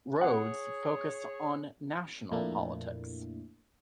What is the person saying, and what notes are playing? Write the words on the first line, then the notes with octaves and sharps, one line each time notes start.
Rhodes focused on national politics.
G#4 C#5 F#5
F2 A#2 A3 A#3 D4 E4